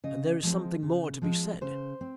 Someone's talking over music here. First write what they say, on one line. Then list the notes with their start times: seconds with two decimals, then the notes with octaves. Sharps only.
And there is something more to be said.
0.04 C#3 D#5
0.43 F3 G#3 C4
0.83 C#3
1.22 F3 G#3 C4
1.61 C#3 C5
2.01 C4